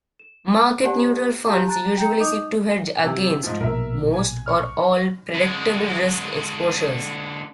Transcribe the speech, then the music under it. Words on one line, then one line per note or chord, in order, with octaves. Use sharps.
Market neutral funds usually seek to hedge against most or all predictable risk exposures.
E7
G4 C5 D5 F#5 G#5 A5
G4 F5 A5 A#5 G6
A5 A#5 F#6 A6
G5 A#5 G6 C#7
D#4 D#5 D6 D#6 G6 F7
C3
G#2 F3
A#1 B2 A#4 E5
G#5
C#6 F6
D3 G#3